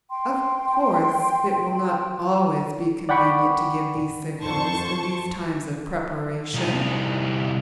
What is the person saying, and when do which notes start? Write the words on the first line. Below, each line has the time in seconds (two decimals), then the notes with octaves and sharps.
Of course, it will not always be convenient to give these signals and these times of preparation.
0.09 G5 C6
3.09 D5 F#5 G5 B5 C#6 D6
4.42 F2 C5 A5 C#6
6.54 C2 D#4